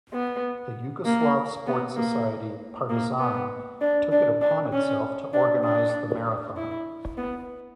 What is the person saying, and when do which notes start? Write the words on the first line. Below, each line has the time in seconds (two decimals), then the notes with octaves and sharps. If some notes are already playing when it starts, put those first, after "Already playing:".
The Yugoslav Sport Society "Partizan" took it upon itself to organize the marathon.
0.13 B3
1.05 A#3
1.67 B3
1.96 A#3
2.89 A#3
3.19 B3
3.81 D4
4.12 D4
4.41 D4
4.73 C#4
5.33 D4
5.64 D4
6.57 E4
7.17 B3